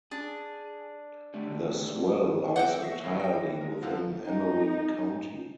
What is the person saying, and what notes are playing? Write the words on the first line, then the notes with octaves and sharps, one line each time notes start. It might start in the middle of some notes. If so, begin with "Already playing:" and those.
The swell lies entirely within Emery County.
D4 G#4
D3 G3 A3
C#5 D5 E5 F#5 G5 D6
E5 C#6 A#6 C7
D#3 F#3 B3 E4
G5 A#6
E3
G#3 A#4
F#2 D3 F3 F5 F#5
D#4